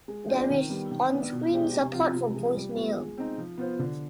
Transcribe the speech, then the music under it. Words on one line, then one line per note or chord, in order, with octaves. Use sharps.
There is on-screen support for voice mail.
G#3
B3 D4 F4 C5
D#3
G3 B3
D#3
B3 D4
B2
G#3 D4 G4 C5
C3
F3 C4 F4
C3
F3 G#3
G3
B3 F4
G#3
C4 D#4
F3
B3 F4 C5
D3